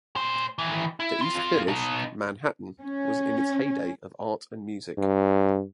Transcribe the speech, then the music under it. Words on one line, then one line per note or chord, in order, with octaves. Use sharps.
The East Village, Manhattan was in its heyday of art and music.
A#2 C5
D#3 E3
E4
C4 F4
B2 D#4
C#4
G2